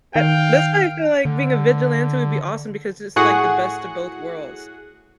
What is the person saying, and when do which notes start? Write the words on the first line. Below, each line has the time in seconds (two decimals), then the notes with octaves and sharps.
uh, that's why I feel like being a vigilante would be awesome because it's like the best of both worlds.
0.16 D#3 F5 G5
1.25 D3
3.16 A2 F#4 G#4 F#5